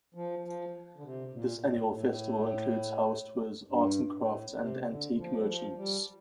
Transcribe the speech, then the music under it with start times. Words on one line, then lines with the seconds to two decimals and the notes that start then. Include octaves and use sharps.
This annual festival includes house tours, arts and crafts, and antique merchants.
0.14 F3
0.44 F3
0.96 D3
1.03 C3
1.33 A#2
1.63 A2
1.92 A2
3.69 G2
4.14 A2
4.58 C3
4.88 D3
5.17 F3
5.39 G3
5.46 F3
5.76 G3